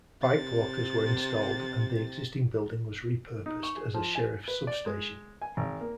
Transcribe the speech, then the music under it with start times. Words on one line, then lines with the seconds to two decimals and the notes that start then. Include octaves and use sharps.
Bike lockers were installed and the existing building was re-purposed as a Sheriff substation.
0.23 C3 A6
3.46 D#4
3.63 C#6
3.76 G#4
3.94 F3
4.15 G#5
4.48 B4
4.67 D5
4.86 G#3
5.42 G#5
5.57 G#1
5.81 A#3